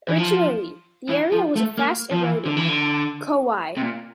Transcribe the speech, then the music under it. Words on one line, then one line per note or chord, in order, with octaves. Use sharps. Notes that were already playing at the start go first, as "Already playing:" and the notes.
Originally, the area was a fast eroding 'Khowai'.
E3
F3
E3
F3
A3
A#3
F3
E3
D3
E3
D3
C3
A#2